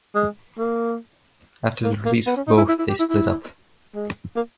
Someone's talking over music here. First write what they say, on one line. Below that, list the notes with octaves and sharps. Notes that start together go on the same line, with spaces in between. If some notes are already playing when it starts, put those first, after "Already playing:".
After the release of both they split up.
G#3
A#3
A#3
A#3
B3
C#4
D#4
E4
E4
E4
G4
E4
E4
G#3
A#3